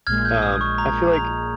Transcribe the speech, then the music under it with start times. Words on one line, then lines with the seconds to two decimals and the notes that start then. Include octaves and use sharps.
Um, I feel like
0.07 A#1 A#2 G#3 F6 G#6
0.25 G6
0.42 D#6
0.61 C#6
0.78 A#5
1.13 A#5